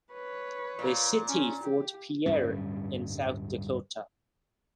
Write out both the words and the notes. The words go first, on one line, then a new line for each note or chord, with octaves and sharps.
A city Fort Pierre in South Dakota.
B4 C#5
A#2
C#4
G4
D1 G2 G3 C#4